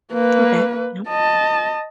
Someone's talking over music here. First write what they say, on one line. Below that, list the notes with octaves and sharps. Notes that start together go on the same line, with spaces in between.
Okay, yep.
A#3 B4
D#5 A5